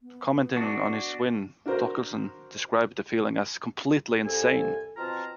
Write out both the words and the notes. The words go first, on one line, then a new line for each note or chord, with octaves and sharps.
Commenting on his win, Thorkildsen described the feeling as "completely insane".
B3
D4 F#4
D4 F#4 A#4 C5
C2 A4 G#5
B2 C4 F4 A5 A#5 F6